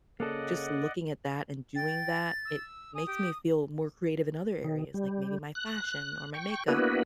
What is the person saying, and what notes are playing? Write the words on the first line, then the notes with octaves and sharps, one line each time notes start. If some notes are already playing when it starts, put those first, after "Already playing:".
just looking at that and doing that, it makes me feel more creative in other areas, like maybe my fashion or my makeup,
C#3 A#3 A4 D5 D#5 F#5
G5 A6
E6
G#5 D#6
G4
D#3
G3
F#6
G5 C#6
A#3 B3 D4 E4 F#4 B4